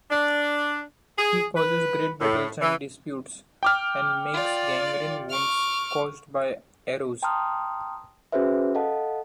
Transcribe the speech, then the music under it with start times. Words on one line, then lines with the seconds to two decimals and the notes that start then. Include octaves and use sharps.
He causes great battles and disputes, and makes gangrene wounds caused by arrows.
0.10 D4
1.19 G#4
1.56 B4
2.21 A2
2.61 E3
3.63 G5 D6 F6
4.33 F4 D5
5.31 C#6 D6 F6
7.23 G5 A5 A#5 C6 D#6 F6
8.32 C#4 F#4 G#4 B4 C5 E5
8.75 A4 D#5 F5 F#5 A5